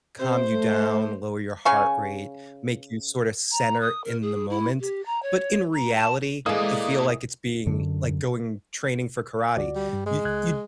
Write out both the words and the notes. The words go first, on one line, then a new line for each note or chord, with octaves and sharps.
calm you down, lower your heart rate, make you sort of center in the moment. But in reality, I feel like it's being like, going training for karate. Y y
C3 C5
A3
C#3 G#5 C#6
A#5
D#6
A#4
G#4
E4
G4
A#5
C#5
A#5
A5
E3 G#3 A#3 A4 D5 D#5 F5 D#6
F#2 D3
D2 F#4 D5
G3
G2
G#3
C#2 F#6 G#6